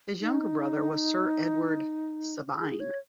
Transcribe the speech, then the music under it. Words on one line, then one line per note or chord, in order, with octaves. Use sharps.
His younger brother was Sir Edward Sabine.
D#4
G#4
C#5